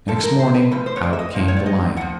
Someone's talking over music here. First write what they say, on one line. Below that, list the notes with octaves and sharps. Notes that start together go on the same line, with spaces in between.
Next morning out came the lion.
A2 F3 A4
A#4
C5
B4
A2 F3 B4
C5
C#5
D5
E5
D#5
A2 F3
C#5
D5
D#5
A2 F3 F#5